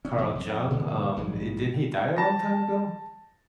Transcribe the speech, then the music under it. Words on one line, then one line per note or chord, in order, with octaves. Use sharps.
Carl Jung? Um, eh, didn't he die a long time ago?
C#4
E2 A2 C3 A#3
F2
A#2 D3 E3 G#3
A#1 G#2 C#3 G#3
A5 A#6